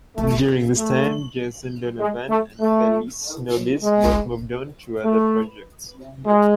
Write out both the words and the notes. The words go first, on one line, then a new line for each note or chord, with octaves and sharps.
During this time, Jason Donovan and Felix Nobis both moved on to other projects.
A3
A3
G#3
A3
A3
G#3
A3
G#3